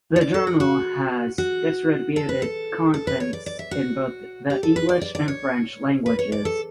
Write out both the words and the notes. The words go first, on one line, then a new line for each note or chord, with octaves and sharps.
The journal has distributed contents in both the English and French languages.
C#5
D5
A4
F#4
F#4
F#4
A4
B4
A4
A4
B4
C#5
D5
D5
E5
F#4
G4
A4
B4
D5
D5
D5
C#5
B4
C#5
D5
A4